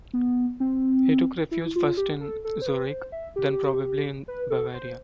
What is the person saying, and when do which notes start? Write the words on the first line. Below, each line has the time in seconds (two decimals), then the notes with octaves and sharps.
He took refuge first in Zurich then probably in Bavaria.
0.13 B3
0.60 C4
1.51 E4
1.76 F4
1.97 G4
2.21 A4
2.45 A4
2.62 C5
2.66 B4
2.89 C5
3.12 E5
3.36 G4
4.28 B4
4.50 A4
4.74 C5